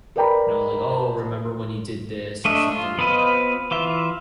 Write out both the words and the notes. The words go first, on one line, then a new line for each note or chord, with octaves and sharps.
you know, like, "Oh, remember when you did this," or something like that.
A#4 B4 D5 G5 A#5 B5
A3 D4 D#5 E5
F4
B3 C4 F4 B4 D#5
E3 F4 E5